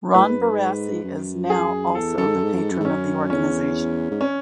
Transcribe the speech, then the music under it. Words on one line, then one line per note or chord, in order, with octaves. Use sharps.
Ron Barassi is now also the patron of the organisation.
A2 B4
G#2
F#2
G#2
F#2
G#4
E2 A4
F#2 A4
G#2
F#2
G#2
F#2
G#2
F#2
G#2
F#2 C#4
E2 C#4
G#2
C#4